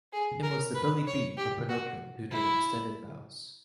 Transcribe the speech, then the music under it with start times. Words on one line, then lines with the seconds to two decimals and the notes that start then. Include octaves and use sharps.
Her nickname was "The Billy B" or "Pinocchio", due to her extended bows.
0.13 G#4
0.43 A#4
0.74 B4
1.07 C#5
1.37 G4
1.69 F#4
2.32 E4